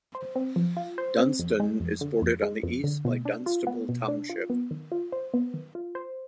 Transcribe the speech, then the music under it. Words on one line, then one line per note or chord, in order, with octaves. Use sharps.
Dunnstown is bordered on the east by Dunnstable Township.
C5
C4
F3
F4
C5
C4
F2
G#3
F2
D3
F2
G#3
F2
D3
B2
D4
F4
B3
B2
D4
F4
B3
D#3
F4
C5
B3
D#3
F4
C5